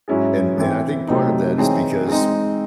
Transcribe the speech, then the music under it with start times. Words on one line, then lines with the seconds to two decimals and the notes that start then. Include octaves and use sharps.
and and I think part of that is because
0.08 G#2 F#3 C#4 E4 G#4
0.58 E3 C4 E4
1.08 C3 F#3 A3 C4 D#4
1.58 E3 C4 D#4 G#4 C#5
2.08 G#3 C4 D#4